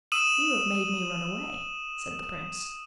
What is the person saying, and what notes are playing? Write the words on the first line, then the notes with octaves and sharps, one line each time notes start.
'You have made me run away,' said the prince.
D#6 E6 D#7 E7 F#7